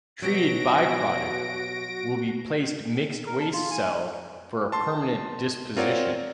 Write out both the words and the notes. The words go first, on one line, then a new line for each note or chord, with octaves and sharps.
Treated byproduct will be placed mixed waste cell for a permanent disposition.
B2 F#3 F#4 G4 A#6 D7
A#4
A5
F4
G#5
A5 C6
C4 F4 A#4 C#5 D5 F#5